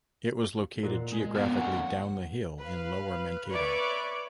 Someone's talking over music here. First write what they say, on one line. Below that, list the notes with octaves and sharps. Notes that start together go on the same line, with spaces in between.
It was located geographically down the hill in lower Mankato.
A#2 C5 F#5
G#3
F2 D3 B3
C#4 F#5
B4 F5
B4 C#5 D5 E5 C#6 D6